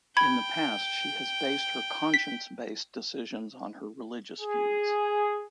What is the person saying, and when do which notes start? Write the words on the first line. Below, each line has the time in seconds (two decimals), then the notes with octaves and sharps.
In the past she has based her conscience-based decisions on her religious views.
0.17 G5 B5 G#6
2.14 B6
4.41 G#4